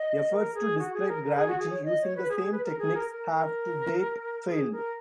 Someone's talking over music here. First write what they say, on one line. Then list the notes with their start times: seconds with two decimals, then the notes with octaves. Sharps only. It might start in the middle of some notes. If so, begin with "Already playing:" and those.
Efforts to describe gravity using the same techniques have, to date, failed.
Already playing: D#5
0.31 A#4
0.54 G#4
0.78 F#4
0.93 G#4
1.08 A#4
1.23 A#4
1.35 G#4
1.47 F#4
1.58 G#4
1.70 C#5
1.85 D#5
2.01 C#5
2.16 B4
2.28 G#4
2.39 G#4
2.51 B4
2.63 A#4
2.78 G#4
2.94 A#4
3.09 A#4
3.33 A#4
4.48 G#4
4.72 A#4